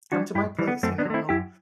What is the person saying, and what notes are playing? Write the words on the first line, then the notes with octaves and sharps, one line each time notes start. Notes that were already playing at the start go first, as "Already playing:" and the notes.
come to my place," you know, "it'll
E3 G3 D4 F#4
G2 E4 G4
E3 G3
B3
F#2 A3 C4
B3 D4
F#3
A3 C4 E4
F#2 E4 G4